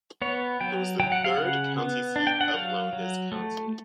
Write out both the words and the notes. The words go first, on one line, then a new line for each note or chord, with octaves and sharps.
It was the third county seat of Lowndes County.
B3 C#5
F#3 G5
F#3 G5
F#5
F5
C#3 F#5
B3
D4
G5
F#5
F#3 F5
F#3
A3